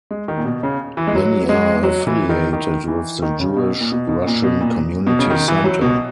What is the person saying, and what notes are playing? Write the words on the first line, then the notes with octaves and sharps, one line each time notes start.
Many are affiliated with the Jewish Russian Community Centre.
G#3
D#3
A#2
B2
C#3
E3
G#3
F#3
G#3
F#3
E3
D#3
D#3
E3
D#3
C#3
B2
A#2
B2
B2
A#2
B2
A#2
B2
C#3
D#3
E3
F#3
B2